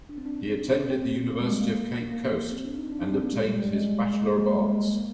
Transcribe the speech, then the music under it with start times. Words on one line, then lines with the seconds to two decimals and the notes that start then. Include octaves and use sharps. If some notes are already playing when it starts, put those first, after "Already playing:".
He attended the University of Cape Coast and obtained his Bachelor of Arts.
0.09 D4
0.18 C4
0.26 D4
0.91 C4
1.31 A#3
1.41 G#3
1.51 G3
1.61 A#3
2.11 A#3
2.52 C4
2.65 D4
2.78 D#4
2.92 D4
3.02 D4
3.12 C4
3.23 A#3
3.32 G#3
3.45 G3
3.59 G3
3.73 G#3
4.13 G#3
4.25 A#3
4.39 G#3
4.53 G3
4.64 G#3
4.73 G3
4.93 A#3